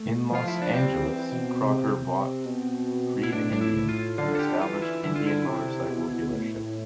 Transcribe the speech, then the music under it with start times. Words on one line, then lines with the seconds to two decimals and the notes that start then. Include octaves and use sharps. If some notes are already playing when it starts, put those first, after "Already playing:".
In Los Angeles, Crocker bought Freed Indian, an established Indian Motorcycle dealership.
Already playing: A3
0.31 F3 F4
0.48 E4
0.62 D4
0.74 G3 C4
1.02 E3
1.32 B2
1.60 C3
2.45 B2
3.23 E4
3.32 A2 D4
3.53 D4
3.61 E4
3.89 F4
4.18 D3 F4
4.35 A4
4.39 G4
4.61 E3 F4
4.82 E4
5.04 D3 E4
5.15 F4
5.27 E4
5.46 C3
5.90 B2
6.33 A2